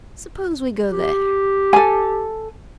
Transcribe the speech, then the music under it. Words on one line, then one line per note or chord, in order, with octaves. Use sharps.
Suppose we go there.
G4
A4 G#5